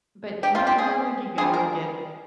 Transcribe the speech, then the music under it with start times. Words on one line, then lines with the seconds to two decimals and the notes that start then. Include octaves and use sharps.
But ho how would you go to get
0.43 G4
0.55 F4
0.67 G4
0.78 G#4
1.38 G3 D4 F4 G#4
1.54 A#4